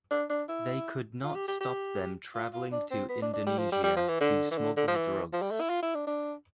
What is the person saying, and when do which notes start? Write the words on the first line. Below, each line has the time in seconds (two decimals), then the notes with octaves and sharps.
They could not stop them traveling to Indonesia to smuggle drugs.
0.11 D4
0.30 D4
0.49 E4
1.23 F4
1.35 G4
1.48 G4
1.60 G4
2.35 F4
2.53 F4
2.72 D4
2.91 C4
3.09 B3
3.22 D4
3.33 D4
3.46 G3
3.58 F3
3.72 G3
3.84 G3
3.96 F3
4.08 E3
4.21 D3
4.51 E3
4.58 D3
4.77 D3
4.88 F3
4.95 E3
5.33 F3
5.42 G3
5.51 A3
5.60 E4
5.70 F4
5.82 E4
5.95 D4
6.07 D4